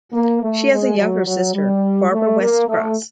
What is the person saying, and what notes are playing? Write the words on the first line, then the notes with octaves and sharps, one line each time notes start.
She has a younger sister, Barbara West Cross.
A#3
A3
G#3
F#3
F#3
G3
A3
A#3
A3